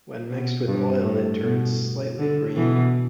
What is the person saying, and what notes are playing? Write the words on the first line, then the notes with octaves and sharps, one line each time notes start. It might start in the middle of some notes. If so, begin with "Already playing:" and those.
When mixed with oil it turns slightly green.
B2
G2
A2
B2
D3
B2 E3